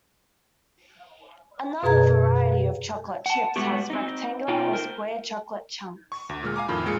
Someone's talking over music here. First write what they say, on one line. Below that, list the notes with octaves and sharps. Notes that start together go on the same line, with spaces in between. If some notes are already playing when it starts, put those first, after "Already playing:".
Another variety of chocolate chips has rectangular or square chocolate chunks.
F#2 B2 G#4 B4 A#5 G#6
F#5 A5
A2 G#3 A3 B3 F#4 G4
C4 D#4
B2 D#4 F4 G5
A3 A#4 C5
C#6
D2
A#2 G#3 F6
F5 G#5 A#5 D6
F2 A2 D#3 F4 B5
A#2 G#3 G#4 F6 C#7